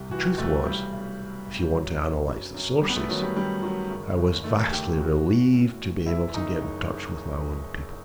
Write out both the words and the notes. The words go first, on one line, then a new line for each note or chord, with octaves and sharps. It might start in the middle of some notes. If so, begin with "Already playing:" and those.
The truth was--if you want to analyse the sources--I was vastly relieved to be able to get in touch with my own people.
Already playing: C2 C3 G4
E3 F#4
C2 A3
B1 G3
B1
B1
B1
G1 F#3
G1
F#2
F#2
E2 G3
B3
A3
D#3 F#3
G3
D#3 G3
D#3 F#3
F#1
F#1
D#3 A3
D#3 G4
A1 F#4
A1
A2
A1
E2 E4
F#1 D#4
F#1